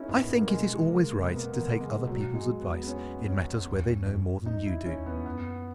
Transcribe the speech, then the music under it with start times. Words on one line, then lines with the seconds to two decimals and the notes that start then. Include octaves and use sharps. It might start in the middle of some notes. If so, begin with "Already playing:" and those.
I think it is always right to take other people's advice in matters where they know more than you do.
Already playing: C#4 D#4 E4 G#4 A#4
0.08 G#2 B3
0.20 A#2
0.29 G#2
0.38 A#3
0.48 B2 G#3
0.88 C#3 A#3
1.18 C#3
1.27 B2 B3
1.36 A#3
1.43 B3
1.52 E3 A#3
1.60 D#3
1.68 C#3 A#3
1.80 G#3
2.07 B2 F#3
2.35 G#2 G#3
2.60 E2 B3
2.83 B3
2.87 C#4
3.27 C#4
3.66 E2
4.06 F#2
4.46 E2 D#4
4.66 E4
4.85 E2 C#4
5.05 E2 B3
5.25 F#2 B3